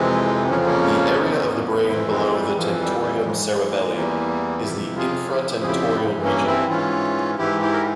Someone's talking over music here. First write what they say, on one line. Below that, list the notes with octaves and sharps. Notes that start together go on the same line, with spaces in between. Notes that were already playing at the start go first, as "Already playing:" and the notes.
The area of the brain below the tentorium cerebelli is the infratentorial region.
Already playing: F2 C3 E3 G#3 C4
F2 C#3 F3 C#4
C4
A#3 C#4
E2 C#3 E3
F2 E3 C4 E4
G#3 C4
G3
F2 E3 F3
G3
G3
G3
G#2 E3 F3 G#3
A#3
G#3
E2 E3 G3 A#3
F2 C3 F3 E4 G4
F4 G#4
F2 C#3 F3 E4 G4
G#4
E4 G4
G2 E3
A#3 C#4
C4 E4
G#2 E3 C#4 F4
G#2 E3 E4 G4
E4 G4
A#4